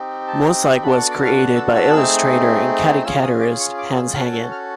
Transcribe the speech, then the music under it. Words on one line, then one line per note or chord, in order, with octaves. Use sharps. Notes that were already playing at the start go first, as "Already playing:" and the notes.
"Mosaik" was created by illustrator and caricaturist Hannes Hegen.
Already playing: C4 D#4 G4
A5
B3 D4 F#4 A4 B5
D6
C#6
D6
F6
F#6
E6
E6
A3 C4 D#4 G#4
C#4 F4 G#4 E6
D#6
D6
C#6
D6
E6
C#4 F#4 A4 F6
E6
F6